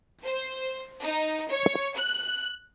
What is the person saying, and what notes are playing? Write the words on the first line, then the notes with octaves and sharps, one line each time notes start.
Buildings can be destroyed if a monster directly attacks or is thrown into it.
C5
D#4
C#5
F#6